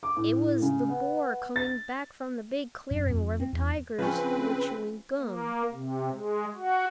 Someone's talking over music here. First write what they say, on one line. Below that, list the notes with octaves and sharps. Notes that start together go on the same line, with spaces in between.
It was the boar coming back from the big clearing where the tigers were chewing gum.
D6
A2
C#3
B3
A6
F#2
F2
C4
E2
C#3 F3 C4 C#4 B4
A#3
C3
G#3
F#4